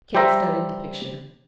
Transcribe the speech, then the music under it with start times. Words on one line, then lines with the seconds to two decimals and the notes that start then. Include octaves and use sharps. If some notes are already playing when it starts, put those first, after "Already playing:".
Kate studied the picture.
0.15 G3 G4 C5 E5 A#5